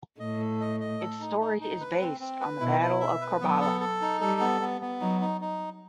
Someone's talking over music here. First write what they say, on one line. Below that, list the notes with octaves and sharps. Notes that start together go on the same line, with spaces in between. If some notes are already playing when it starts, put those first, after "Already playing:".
Its story is based on the Battle of Karbala.
A2 D#5
A4
D#5
D#5
A4
D#4
D#4
D#4
B4
C4
C4
B4
B2 E4
E4
E5
B4
F#3 B3
A4
A4
D#4
G3 A4
B3
B3
B3
F#3 D#4
D#4
D#4